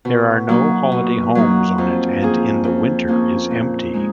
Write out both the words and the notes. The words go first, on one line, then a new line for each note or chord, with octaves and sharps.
There are no holiday homes on it and in the winter is empty.
B2
F#3 A#3 D#4
B2
F#3 A#3 D#4
F2
F3 A#3 C#4 G#4
F2
F3 A#3 C#4 G#4
A#2
G#3 D#4 G#4